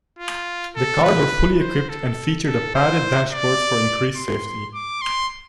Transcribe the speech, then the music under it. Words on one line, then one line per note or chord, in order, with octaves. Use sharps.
The cars were fully equipped and featured a padded dashboard for increased safety.
F4
A4
B4
C5
A4
A4
C5
D5
C6
D6
C6